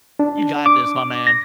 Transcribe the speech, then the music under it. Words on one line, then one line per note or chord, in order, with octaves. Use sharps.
You got this, my man.
D4
D6
A#6